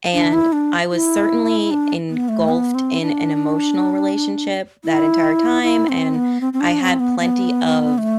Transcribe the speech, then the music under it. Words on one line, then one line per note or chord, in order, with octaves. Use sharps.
and I was certainly engulfed in an emotional relationship that entire time, and I had plenty of
D4
E4
D4
E4
D4
B3
A3
B3
C4
D4
E4
E4
C4
B3
C4
C4
D4
C4
B3
B3
A3